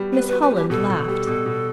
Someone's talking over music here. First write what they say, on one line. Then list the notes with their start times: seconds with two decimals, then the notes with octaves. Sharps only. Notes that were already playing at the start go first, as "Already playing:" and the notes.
Miss Holland laughed.
Already playing: G3 B3 F#4
0.13 B3 B4
0.28 F#4 B4
0.42 B4
0.52 G3 G4
0.70 B2 A4
0.90 B2
1.08 G3
1.27 B2
1.46 B2